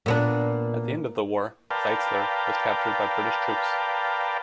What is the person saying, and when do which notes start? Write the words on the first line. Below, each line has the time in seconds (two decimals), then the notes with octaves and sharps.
At the end of the war, Zeitzler was captured by British troops.
0.06 A#2 B3 D4
1.71 A#4 B4 D5 F5 G5 A5